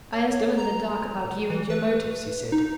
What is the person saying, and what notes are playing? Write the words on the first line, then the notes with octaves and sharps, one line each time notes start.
"I am still in the dark about you and your motives," he said.
C#5
A#5
E3
B4
D#4